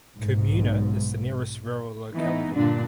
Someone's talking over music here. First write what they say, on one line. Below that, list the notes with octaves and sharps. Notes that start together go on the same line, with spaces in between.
Kommuna is the nearest rural locality.
B1 G#2
E3 B3 D#4
G2 A#2 D3 D4